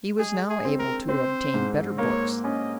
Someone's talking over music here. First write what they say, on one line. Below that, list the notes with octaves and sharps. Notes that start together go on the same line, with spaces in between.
He was now able to obtain better books.
G#3 G#4
G#4
C4
A#4
C4 C5
G#2
A#3 C#5
C#4 D#5